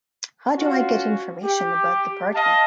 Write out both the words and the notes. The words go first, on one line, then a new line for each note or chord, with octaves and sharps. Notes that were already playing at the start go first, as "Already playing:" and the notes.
How do I get information about the party?
C#4 F4 F#4
G4
D#5 F5 A5